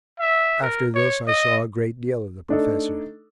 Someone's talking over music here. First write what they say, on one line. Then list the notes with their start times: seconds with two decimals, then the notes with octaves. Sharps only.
After this I saw a great deal of the professor.
0.20 E5
0.62 A#4
0.95 C#5
1.27 D#5
2.49 A3 D4 D#4 A4